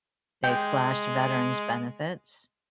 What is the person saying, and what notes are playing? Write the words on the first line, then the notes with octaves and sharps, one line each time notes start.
they slashed veterans benefits.
G#3 G5